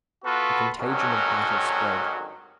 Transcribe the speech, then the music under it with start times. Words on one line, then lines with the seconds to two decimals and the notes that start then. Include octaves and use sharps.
The contagion of battle spread.
0.24 B3 F4 F#4 A4 B4
0.79 G#1 G2 D#3 F#3 C#4 A4